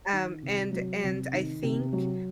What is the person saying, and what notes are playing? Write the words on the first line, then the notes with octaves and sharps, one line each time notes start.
Um, and and I think
D#3
C3
F#3
C3
D#3
C3
F#3